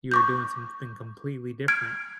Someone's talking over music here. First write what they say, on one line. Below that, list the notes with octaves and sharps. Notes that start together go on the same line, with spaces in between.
you were doing something completely different,
C#6 D6 G6
F6 G#6 D7